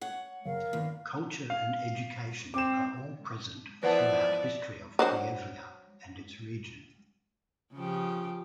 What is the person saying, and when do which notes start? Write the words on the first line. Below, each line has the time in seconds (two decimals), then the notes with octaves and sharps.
Culture and education are all present throughout history of Pljevlja and its region.
0.01 C#5 F#5
0.45 F#1 C#3 F#3 A#4 F5
0.73 E2 G2 D#3 A#3
1.50 F5
2.54 C4 D6 E7
3.83 E3 F3 B3 B4 D5 E5 F#5 A5
4.99 F#3 D4 C5
7.74 C#3 F3 G4